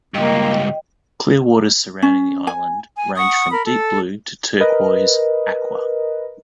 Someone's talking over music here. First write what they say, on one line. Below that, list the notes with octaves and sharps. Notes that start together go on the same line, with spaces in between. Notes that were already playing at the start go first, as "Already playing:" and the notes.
Clear waters surrounding the island range from deep blue to turquoise aqua.
C#2 G2 A#3 D#5 G5
C#4
G#5
G#5
F#5 C#6 D#6
A#4 B5
A4
A#4 B4 D#5